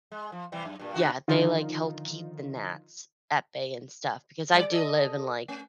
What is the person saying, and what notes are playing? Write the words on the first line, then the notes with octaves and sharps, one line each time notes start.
yeah, they, like, help keep the gnats at bay and stuff because I do live in, like,
G#3
F3
C3 E3 G3
F#2
G2 A#2 G3
G2 C#3 F#4
D3 D#3 F3 D#4 F4
G3 D5
A4 C#5 D#5
A3 C#4